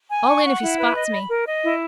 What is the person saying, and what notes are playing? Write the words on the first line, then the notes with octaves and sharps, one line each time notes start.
All in if he spots me.
G#5
C#6
F#5
E4
B4
D#5
B5
A#4
D#5
E4